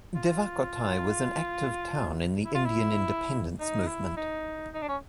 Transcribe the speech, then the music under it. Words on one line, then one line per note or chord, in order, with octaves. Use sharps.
Devakottai was an active town in the Indian Independence Movement.
F4
E4
F4
E4
D#4
E4
D#4
D#4
D4
C#4